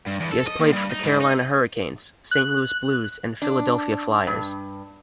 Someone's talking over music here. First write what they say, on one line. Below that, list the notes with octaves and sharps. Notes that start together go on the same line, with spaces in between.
He has played for the Carolina Hurricanes, Saint Louis Blues and Philadelphia Flyers.
G2
E2
A4
D#5
A#2
G2
D#4
G#2
D#4
F#6
D4
G2